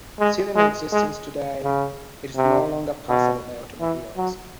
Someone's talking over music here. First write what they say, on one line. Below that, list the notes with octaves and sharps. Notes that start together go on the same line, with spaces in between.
Still in existence today, it is no longer passable by automobiles.
G#3
G#3
G#3
C#3
C3
B2
E3
F#3